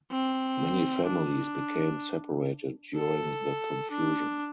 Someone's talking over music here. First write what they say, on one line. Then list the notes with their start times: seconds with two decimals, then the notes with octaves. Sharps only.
Many families became separated during the confusion.
0.11 C4
1.07 D4
2.97 A4
3.91 D4